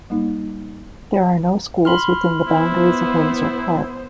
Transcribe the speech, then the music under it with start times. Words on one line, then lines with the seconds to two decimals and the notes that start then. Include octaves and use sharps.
There are no schools within the boundaries of Windsor Park.
0.10 G3 A#3 D#4
1.85 B5 C6 F6
2.47 B3 E4 C5